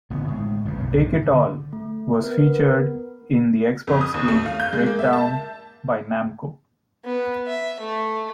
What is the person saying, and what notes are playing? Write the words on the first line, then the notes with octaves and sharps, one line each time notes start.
"Take it All" was featured in the Xbox game "Breakdown" by Namco.
A1 D3 B3
A2 G#3
G1 F2 G#2 C#3
B1 F#2 C3
G#2
D3
A3
B3 A#4
F2
D#6
D#2
A3
F5
G6
G#3
A#3
E5
A5
B3
E5
A3